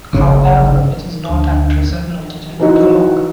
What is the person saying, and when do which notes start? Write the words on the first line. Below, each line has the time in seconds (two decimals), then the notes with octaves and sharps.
However, it is not at present noted in "Ethnologue".
0.13 G1 C2 C#3
1.29 D2
2.60 E3 D#4 F#4